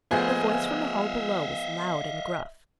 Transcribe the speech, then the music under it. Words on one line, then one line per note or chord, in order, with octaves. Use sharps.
The voice from the hall below was loud and gruff.
F3 A3 B3 G#4 D#5 E5